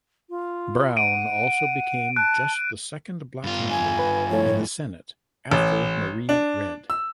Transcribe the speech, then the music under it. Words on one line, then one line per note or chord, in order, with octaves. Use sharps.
Brown also became just the second Black member in the Senate after Marie Redd.
F4
F#5 D7 D#7
A5 F#6 D7
G2 F4
G#5
B4
F3 A3 E4 C#5
A1
D4
E6